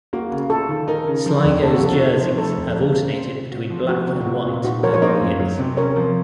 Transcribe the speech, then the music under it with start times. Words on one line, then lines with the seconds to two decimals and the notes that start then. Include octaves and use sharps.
Sligo's jerseys have alternated between black and white over the years.
0.13 A#3 F#4
0.32 C#3
0.50 F4 A4
0.69 D#3
0.88 D#4 A#4
1.07 C#3
1.26 F3
1.44 F2
1.63 A#3 A4
1.74 F#4
1.82 C3 A4
2.01 D#4
2.20 F3
2.38 A3 A4
2.57 F2
2.76 A#3
2.95 C#3
3.13 C4
3.33 C3
3.52 F#4
3.70 F3
3.89 A#3 F#4
4.07 C3
4.21 F#4
4.27 A#3 F4
4.46 A#2
4.64 D#4 F#4
4.83 F3 A#4 C#5
4.94 C#5
5.02 A#3 C5 D#5
5.21 F#2
5.39 F#3
5.59 C3
5.77 C#4 A#4 C#5
5.96 F3